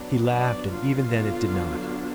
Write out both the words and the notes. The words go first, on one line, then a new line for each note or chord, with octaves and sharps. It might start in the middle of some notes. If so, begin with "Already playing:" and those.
He laughed, and even then it did not.
Already playing: F#3 B3 D4
D5
F4
D3 F#3 B3 D4